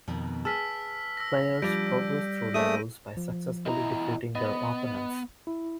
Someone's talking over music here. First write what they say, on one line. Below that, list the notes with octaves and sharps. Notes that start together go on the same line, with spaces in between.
Players progress through levels by successfully defeating their opponent.
F2 B2 D#3
G#4 B4 A5 E6 F6 B6
E6 A#6
F3 G3 D4 D5 G6 A#6 D7
A3 A#3 C#4 G#4 D#6 D#7
F3
E2 E4 D#5 A#5
B3 D#5
E4